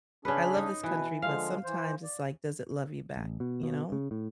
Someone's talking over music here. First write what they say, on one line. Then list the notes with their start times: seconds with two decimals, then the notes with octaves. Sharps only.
I love this country, but sometimes it's, like, does it love you back? You know?
0.25 C#3 C#4 D4 G#4 B4
0.57 D#4
0.83 B2 E3 B4
1.22 D3 F3 G#3 F5
1.64 E3 C5
2.03 D5
3.17 A1
3.40 B2
3.63 B2
3.92 C#3
4.11 A2